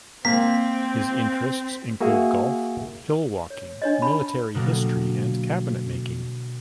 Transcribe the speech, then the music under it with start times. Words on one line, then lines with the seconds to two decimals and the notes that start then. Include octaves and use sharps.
His interests include golf, hill walking, military history and cabinet making.
0.25 A#3 C4 B6
2.01 A#3 F#4 G#4 E5 G#5
3.50 C#5
3.82 D4 C#5 D#5
4.02 A5 B5
4.55 B2 D3 F#3 G3 A#3